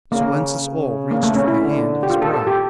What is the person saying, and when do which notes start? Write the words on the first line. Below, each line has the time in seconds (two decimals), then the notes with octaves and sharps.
Salensus Oll reached for the hand of his bride.
0.12 C#3 A#3
0.62 C#3
1.11 A#3
1.23 A3
1.35 C#4
1.48 E4
1.60 D3
2.03 G4
2.09 A#2 F4
2.22 A4
2.34 A4
2.47 G4